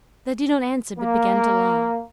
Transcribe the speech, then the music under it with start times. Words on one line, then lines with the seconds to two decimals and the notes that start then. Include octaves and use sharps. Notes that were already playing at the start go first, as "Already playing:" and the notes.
They did not answer but began to laugh.
0.99 A#3